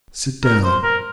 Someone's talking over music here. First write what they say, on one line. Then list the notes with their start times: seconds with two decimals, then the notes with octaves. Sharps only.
Sit down.
0.44 A#4
0.63 C5
0.83 A#4